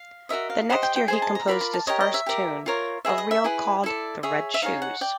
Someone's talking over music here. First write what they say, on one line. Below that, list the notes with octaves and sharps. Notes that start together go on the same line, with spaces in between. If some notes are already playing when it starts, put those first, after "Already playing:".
The next year he composed his first tune, a reel called "The Red Shoes".
Already playing: F5
F#4 A#4 D#5 E5
F5
G4 C5 D#5 F#5
G5
G5
G#4 C5 D#5 G#5
A5
A#5
F4 A#4 D5 B5
B5
A5
G4 A#4 C#5 D#5
D#5
E5
G4 A#4 D5
F4 A#4 C#5
G#4 B4 D#5 E5
D#5
E5
E4 G#4 B4
E4 A4 D5
G#4 C#5 E5
E5
D#4 G#4 C#5 F5
F#5
D5 G5